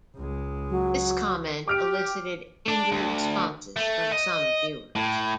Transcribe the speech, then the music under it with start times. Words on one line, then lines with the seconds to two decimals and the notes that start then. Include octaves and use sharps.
This comment elicited angry responses from some viewers.
0.16 C#2 G#3
0.70 F#3
1.68 G4 D6 F6 D7
2.68 D4
2.92 D2
3.76 A3
4.12 D#5
4.95 A2